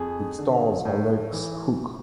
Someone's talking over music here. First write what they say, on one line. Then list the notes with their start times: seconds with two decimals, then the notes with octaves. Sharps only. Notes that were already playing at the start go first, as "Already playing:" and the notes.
It stars Alex Hook.
Already playing: F2 G#4
0.38 D3
0.85 A2
1.33 E3